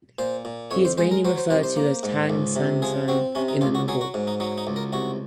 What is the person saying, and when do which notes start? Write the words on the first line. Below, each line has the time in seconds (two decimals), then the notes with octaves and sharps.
He is mainly referred to as Tang Sanzang in the novel.
0.19 A#2 C5
0.45 A#2
0.71 F2 C#5
0.85 C5
0.98 G#3 C5
1.11 A#4
1.25 F#3 C5
1.38 C5
1.50 C2 C5
1.63 C5
1.76 A#3
2.03 G#2
2.30 C#2
2.56 C3
2.82 F3 G#4
3.08 C4 F#4
3.35 C3 C#4
3.48 D#4
3.61 C#2 F4
3.75 F#4
3.88 F#3 G#4
4.01 F#4
4.14 G#2
4.27 D#4
4.40 F#3 D#4
4.58 D#4
4.67 C#2
4.76 A#4
4.93 C2 F#4